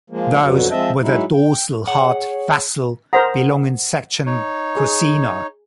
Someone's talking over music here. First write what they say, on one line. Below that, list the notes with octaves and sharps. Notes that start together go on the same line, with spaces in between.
Those with a dorsal heart vessel belong in section Cossina.
F3 G#3 A#3
F2 B2 D3 F#3
F3 G#3 C4 D#5 E5 A5
F#3 G#3 D#4 E4
G5
G#4 C#5 F#5
A4 A#4 C5 F#5 A#5
D#4 C#5
G#4